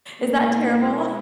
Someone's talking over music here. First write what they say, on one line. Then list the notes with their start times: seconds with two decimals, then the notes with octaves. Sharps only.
Is that terrible?
0.20 B2 G#3 A#3 B3 E4